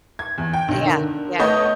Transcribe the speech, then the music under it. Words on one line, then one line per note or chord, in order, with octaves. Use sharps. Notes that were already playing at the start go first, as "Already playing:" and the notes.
Yeah, yeah.
G#6
E2
G5
B1 D3
D3 D#3
A3 B3 C#5 D#5 G6